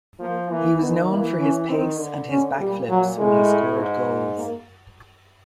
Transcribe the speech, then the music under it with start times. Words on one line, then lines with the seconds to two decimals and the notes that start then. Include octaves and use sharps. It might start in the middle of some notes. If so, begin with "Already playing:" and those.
He was known for his pace and his back-flips when he scored goals.
0.20 F3 A#3
0.50 E3 A#3
0.80 D#3 B3
1.10 E3 A#3
1.40 C#4
1.69 D#3 C4
1.99 D3
2.29 C#4
2.59 A#2 G3
2.89 F#3
3.18 A2 G#3
3.79 G#2
4.37 A#3